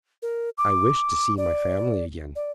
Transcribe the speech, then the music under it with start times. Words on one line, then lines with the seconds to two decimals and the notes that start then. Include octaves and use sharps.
"I wished to see my family again."
0.22 A#4
0.58 D6
1.37 D5
2.36 D5